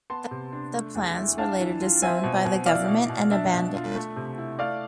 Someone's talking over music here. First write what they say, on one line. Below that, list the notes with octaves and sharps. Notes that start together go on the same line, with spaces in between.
The plans were later disowned by the Government and abandoned.
B3 A5 C6
C3
D4
A3
E2
E4
D4 F5 A5
E3
F4
C4 E5 G#5
B2
B2
E4 D5 F5
B2
B2
D4 E5
B2
F4
A3
C3
E4
A3 D5 F5